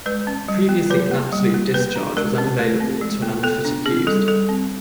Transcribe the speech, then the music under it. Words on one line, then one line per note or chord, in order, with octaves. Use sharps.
Previously an absolute discharge was unavailable to an unfit accused.
G#3 B4
C#4
G3
B3
F#3 B4
A#3
G3
A#3
B3 B4
D4
G#3 A#4
C#4
A3
C4
G#3
B3
B3 A4
D4
C4 G#4
G3 A4
G3 A4
C4